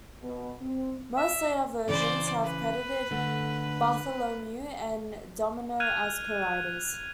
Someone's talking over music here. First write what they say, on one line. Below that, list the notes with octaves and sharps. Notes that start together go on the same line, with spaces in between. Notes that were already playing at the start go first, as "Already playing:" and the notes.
Most later versions have credited Bartholomew and Domino as co-writers.
B2
C4
E5
C#3 E3 C#4 C5 D5
B4
D3 A3
F6 F#6 G#6 D#7 F7